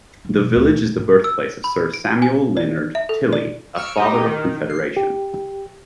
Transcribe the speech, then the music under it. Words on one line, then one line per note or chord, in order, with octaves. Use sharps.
The village is the birthplace of Sir Samuel Leonard Tilley, a Father of Confederation.
E3
B2
D2
D3
E4
G#2
E6
B5
D7
G#5
D5
E5
A4
D5
C#6 E6 F6 C#7 D7
D#4 G4 D#5
D#3
C7
G4